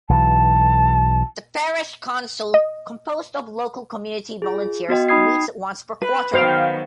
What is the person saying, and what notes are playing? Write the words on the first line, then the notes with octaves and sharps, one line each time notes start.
The Parish Council, composed of local community volunteers, meets once per quarter.
B1 E3 A5
D#5
F4 G#4
B3 F#4 D#5 G5
D#4 G5 B5 D#6 G#6 C7
B4 B5 F#6
D#3 F#3 B3 F#4 C5 F5 G5